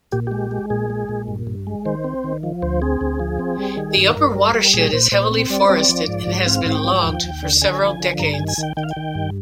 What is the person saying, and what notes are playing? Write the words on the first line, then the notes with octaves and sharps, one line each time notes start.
The upper watershed is heavily forested and has been logged for several decades.
A#2 G4
G#3 G4
G#3
A#2 G#4
G#3
A#2
G2
G2
G#3
D#3 C5
C4
D#3
F3
D2 C5
C4 G#4
D2
F3
C4
G3
D#3
G2
G2 A#4
G3
G3
A#2 G#4
A#2 C5
A#2 C5
C4
G3 D5
C5
C4 D5
F3
G#2
G#2
C4 F5
G#2
G5
F3
D#2
D#2
D3
D3 G#5
F3
D3
G2 A#5
G#5
D#3
G#5
D#3 G5
D#3 G5
F5
G5
D#3
G2